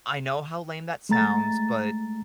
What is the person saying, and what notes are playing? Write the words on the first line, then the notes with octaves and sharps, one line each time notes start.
I know how lame that sounds, but
G#3 A3 A#5 A6